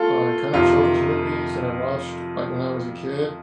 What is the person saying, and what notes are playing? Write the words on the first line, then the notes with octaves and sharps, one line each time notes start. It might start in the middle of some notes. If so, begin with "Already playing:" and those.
like, kinda children's movies that I watched, like, when I was a kid,
Already playing: A3 C#4 F4 A4
F2 C3 D#3 F4